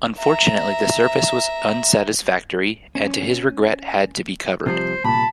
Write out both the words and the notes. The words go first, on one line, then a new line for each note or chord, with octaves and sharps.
Unfortunately the surface was unsatisfactory and, to his regret, had to be covered.
E5 A#5
C#4
C3 F3 G3 C5
C2 A#2 A5 B5